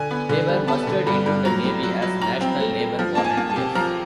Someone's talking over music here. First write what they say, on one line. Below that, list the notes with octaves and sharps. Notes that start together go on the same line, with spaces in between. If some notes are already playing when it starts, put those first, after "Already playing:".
They were mustered into the Navy as National Naval Volunteers.
Already playing: D3 G#5
B3
D3
G3
B3 A5
D3
G2
G2
F#3 A#5
A2
F#3
F#3
F#3 A#5
C4
A3
A3
F3
A#3 A5
G#5
A#3
A5
C3
F3 A#5